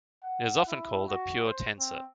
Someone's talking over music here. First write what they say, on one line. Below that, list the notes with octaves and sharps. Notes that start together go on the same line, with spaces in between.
It is often called a pure tensor.
F#5
E4
F#4
C5
C4